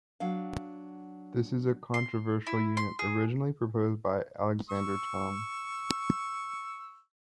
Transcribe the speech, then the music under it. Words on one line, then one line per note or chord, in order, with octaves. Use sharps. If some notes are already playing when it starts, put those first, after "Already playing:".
This is a controversial unit originally proposed by Alexander Thom.
F#3 D4 F5
C6
E4
C6
G#4
C#6 E6